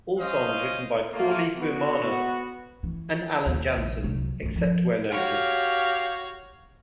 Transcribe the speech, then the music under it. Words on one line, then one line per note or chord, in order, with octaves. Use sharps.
All songs written by Pauly Fuemana and Alan Jansson except where noted.
C#4 C5 D#5 F5
A3 A#3 F4
B3 F#4
E3
D#2
F1 A#1
C2 F#3
G2 G#3
F3
F#4 G4 C#5 F5